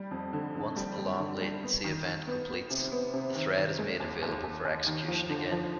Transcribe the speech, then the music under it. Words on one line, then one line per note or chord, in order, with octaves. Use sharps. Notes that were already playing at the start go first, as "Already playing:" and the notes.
Once the long-latency event completes, the thread is made available for execution again.
Already playing: G3
F2
D3
F2
G3
G3
D3
G3
B3
D#3
D#3
B3
B3
C3
B3
C3
D#3
D#3
G#3
D#2
D#2
D#2
D#2
D#3
F3
D3
F3